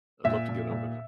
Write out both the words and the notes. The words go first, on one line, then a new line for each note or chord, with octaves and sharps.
I'd love to get over that.
A#2 E5
A#2
A#2